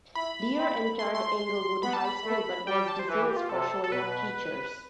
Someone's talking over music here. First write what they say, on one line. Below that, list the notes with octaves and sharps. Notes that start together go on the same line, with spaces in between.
Lear entered Englewood High School but was dismissed for showing up teachers.
E4 B5
C4
A3 C6
C6
B3 B5
A5
B5
A3
G3 G5
A5
C5
E3 B4
G4
F4
C3 A4
A4
B2 B4